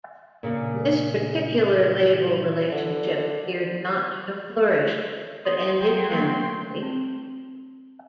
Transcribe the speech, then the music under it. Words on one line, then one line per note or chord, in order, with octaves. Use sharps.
This particular label relationship appeared not to have flourished, but ended amicably.
A#2 C#3 D4 A#4
D3
C5 D#5
F#3 G5 C6
A3 A#3
C4